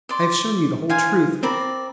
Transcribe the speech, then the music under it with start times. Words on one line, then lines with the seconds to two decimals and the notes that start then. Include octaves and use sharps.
I have shown you the whole truth!
0.09 D5 C6
0.89 E3 C5 F5 G#5
1.43 C4 A#4 D5 B5